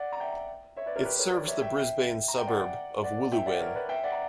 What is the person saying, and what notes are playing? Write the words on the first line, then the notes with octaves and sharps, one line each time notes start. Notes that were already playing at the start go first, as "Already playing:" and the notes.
It serves the Brisbane suburb of Wooloowin.
Already playing: D5 F#5
A#5
E5 G5
C#5 E5
B4 D5
A#4 C#5
G4 B4
A#4 C#5
B4 D5
C#5 E5
E5 G5
E5 G5
A#5
G5
D5 F#5
D5 F#5
E5 G5
D5 F#5
A#4 C#5
B4 D5
E5 G5
D5 F#5
A#5